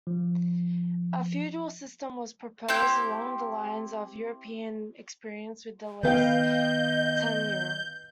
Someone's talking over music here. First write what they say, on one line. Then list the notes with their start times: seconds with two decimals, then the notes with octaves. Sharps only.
A feudal system was proposed, along the lines of the European experience with lease-tenure.
0.07 F3
2.69 C4 E4 G4 G6
6.03 D#3 B3 B4 D#5 F5 G5 G6